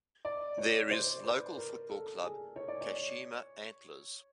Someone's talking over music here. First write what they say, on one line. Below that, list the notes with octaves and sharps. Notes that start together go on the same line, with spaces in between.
There is local football club Kashima Antlers.
D5
C#5
C5
B4
A#4
A4
G#4
C#5
D5
C#5